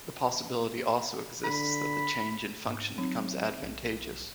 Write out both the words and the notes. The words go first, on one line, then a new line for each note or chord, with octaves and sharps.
The possibility also exists that the change in function becomes advantageous.
D3 B5
G#2
F#3 C4 D#4
B1